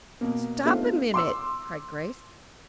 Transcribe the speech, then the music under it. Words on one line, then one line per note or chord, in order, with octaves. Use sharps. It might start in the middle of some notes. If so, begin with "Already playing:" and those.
"Stop a minute!" cried Grace.
B2 A#3
A3 B3 C4 D4 D#4 F4
C6 D6 E6